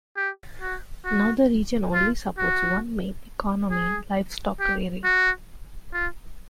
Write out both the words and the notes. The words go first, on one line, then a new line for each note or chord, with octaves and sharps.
Now the region only supports one main economy, livestock rearing.
G4
F#4
F#4
F4
F#4
G#4
G4
F#4
F4